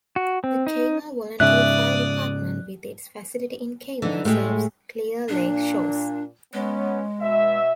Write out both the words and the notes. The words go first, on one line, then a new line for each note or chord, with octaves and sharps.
The Kemah Volunteer Fire Department, with its facility in Kemah, serves Clear Lake Shores.
F#4
C4
D#4
G#2 C#3 D5 E5 D#6 F#6
D3 E3 D#4 A4
A2 G#3 A3 G4 G#4
A#2 D4
G#3 B3 C#4 C#5
B2 E5